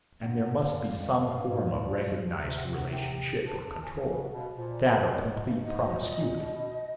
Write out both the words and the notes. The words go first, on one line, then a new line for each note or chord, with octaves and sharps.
And there must be some form of recognized relationship or control--that or complete promiscuity.
G2 F#5 G5
G2
F5
F#2
F2
F#2
G2
G#2
A2
A#2
B2
C3 E5
F#5
F#5
G5
A5
G#5
C#3
F#5
B2
F5
A#2 C5
B2 C#5
G#2 D#5
G2
G#2 D#5
B2
A#2 D#5
A#2
B2
B2